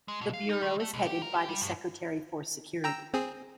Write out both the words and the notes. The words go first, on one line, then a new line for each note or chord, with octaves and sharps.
The bureau is headed by the Secretary for Security.
G#3
B2
F5
D#4
D#3
A3
B1
G4
A#4
G4
G3
G2
G5 A#5 E6
C4 G#4